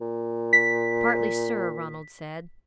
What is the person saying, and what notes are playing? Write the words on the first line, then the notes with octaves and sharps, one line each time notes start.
"Partly, sir," Ronald said.
A#2
B6